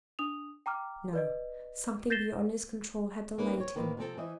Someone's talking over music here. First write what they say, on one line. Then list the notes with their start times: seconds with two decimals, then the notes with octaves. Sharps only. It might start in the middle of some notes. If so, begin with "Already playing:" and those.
No; something beyond his control had delayed him.
0.19 D4 D#6 F7
0.66 G5 A#5 D6 F6
1.13 B4 D5 D#5
2.10 G6 A6 A#6 C7 E7 G7
3.38 A#3 C#4 D#4 B4
3.57 C4 C#5
3.75 A2 D#3 A#3 B4 C5
3.97 C3 F3 C4 A4
4.17 E3 C5 D#5 E5